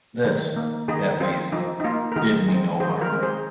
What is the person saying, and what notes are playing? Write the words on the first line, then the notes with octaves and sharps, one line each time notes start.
This, at least, did me no harm.
D#3
A#3
D#3 D#4 G#4
C4 F4
F3 D#4
D#4
A#3 F4
A#4
D#3 D#4 G#4
G#3 C4
D#3 G#4 C5
F4 A#4
G#3 C4
G#4 C5